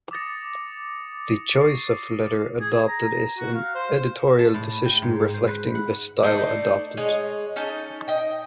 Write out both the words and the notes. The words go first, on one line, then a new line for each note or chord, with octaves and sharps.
The choice of letter adopted is an editorial decision reflecting the style adopted.
D6 D#6 A6 A#6 C#7
C#6 A6 C7
G#4
A#5
F#4
F5
C5
A5
A2
G5
G#2
C5
B4
F#5
A3 D4 D#4 C5
G#3 C#5 D#5
C#4 D#4 A4 G#5
D#5 G5